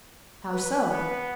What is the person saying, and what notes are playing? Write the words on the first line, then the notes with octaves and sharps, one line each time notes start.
"How so?"
B4
B4
B3